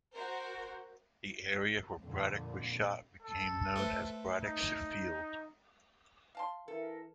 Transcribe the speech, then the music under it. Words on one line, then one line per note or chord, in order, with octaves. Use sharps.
The area where Braddock was shot became known as Braddock's Field.
F#4 A#4 C5
F2 A#2 D3
A4
A3 B4 C5
D#4
F5 A5 C6
E3 A4 A#4 E5